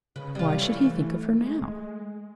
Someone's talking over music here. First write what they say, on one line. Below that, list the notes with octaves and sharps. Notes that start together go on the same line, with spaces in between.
Why should he think of her now?
C#3 B4
C3 G3 F4
E3 A3 C#5
G#3